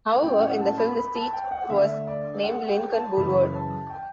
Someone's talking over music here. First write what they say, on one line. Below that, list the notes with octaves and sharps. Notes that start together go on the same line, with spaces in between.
However, in the film, the street was named "Lincoln Boulevard".
A2 F#3 C#4 G5
F#5
A5
B5
B5
A5
G5
F#5
D3 A3 D4 E5
D5
F#5
G5
A5
F#2 C#3 E3 B5
A5
G5